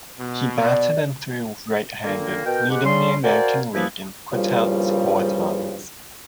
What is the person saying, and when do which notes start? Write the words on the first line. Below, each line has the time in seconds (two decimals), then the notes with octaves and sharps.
He batted and threw right-handed, leading the American League in putouts four times.
0.19 B2
0.64 D5
2.03 A#2 D3 D#3 A#3
2.45 B2 A#4 G5
2.70 G#2 G4 F#5
2.84 C#3 G3 C6
3.24 F#4 A#4 C5 D5 F5 G#5
3.74 F#2 E3 F3 A#3 B3 E4
4.32 E2 G2 A#2 C#3 F3 G3